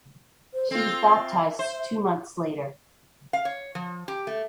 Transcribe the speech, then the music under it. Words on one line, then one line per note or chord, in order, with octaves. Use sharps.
She was baptized two months later.
C5
C4 F4 A4
E5
C5
F5
C#5
F3
G4
A3